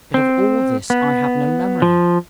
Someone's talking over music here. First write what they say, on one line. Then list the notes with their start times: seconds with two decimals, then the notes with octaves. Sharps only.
But of all this I have no memory.
0.14 C4
0.90 B3
1.82 F3